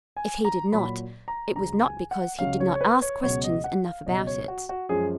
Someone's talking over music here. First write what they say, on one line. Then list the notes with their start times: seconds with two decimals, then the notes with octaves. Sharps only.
If he did not, it was not because he did not ask questions enough about it.
0.17 G#5
0.45 A#5
0.72 A#2 F#3 B5
1.28 A#5
1.56 C#2 C#3 F#3 A#5
1.83 G#5
2.11 F#5
2.39 C#2 C#3 F#3 F5
2.60 C#5
2.75 C#5
2.81 B4
3.02 C#5
3.23 C#2 B2 F#3 C#5
3.44 D#5
3.64 F#5
3.85 F5
4.06 C#2 B2 F#3 D#5
4.27 C#5
4.48 F#4
4.69 F#4
4.89 F#2 F3 G#3 G#4